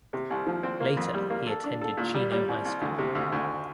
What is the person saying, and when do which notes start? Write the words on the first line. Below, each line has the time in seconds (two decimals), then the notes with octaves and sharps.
Later he attended Chino High School.
0.13 C3
0.30 C2
0.47 F3
0.63 C4
0.80 A#3
0.97 F2
1.14 G3
1.30 A#3
1.47 A4
1.64 D4
1.81 A4
1.97 A#2
2.14 G3
2.32 G3
2.48 C2
2.65 C2
2.81 D2
2.98 C3
3.15 D2
3.32 D2